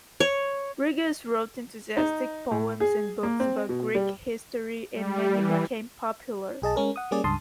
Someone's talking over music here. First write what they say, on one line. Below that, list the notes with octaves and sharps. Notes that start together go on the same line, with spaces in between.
Rigas wrote enthusiastic poems and books about Greek history and many became popular.
C#5
D#4
A2
G#4
A#3
C4
B2
G3
G3
E3
B1 G#4 D#5 A5
G#3 C#4 A#4
F#5 D#6
G3 A#3 C#4 G#4 D5
C#2 G2 A5 C6 D#6